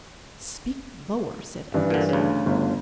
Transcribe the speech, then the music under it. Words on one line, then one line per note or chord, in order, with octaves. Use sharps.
"Speak lower!" said Athos.
G2 E3 D4
A#2 D3
D2 C#3
G1